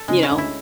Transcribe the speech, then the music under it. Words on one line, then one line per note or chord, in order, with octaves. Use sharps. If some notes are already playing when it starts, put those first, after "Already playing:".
you know
Already playing: A4
C#3 G#3
C#4
D2 D3
E4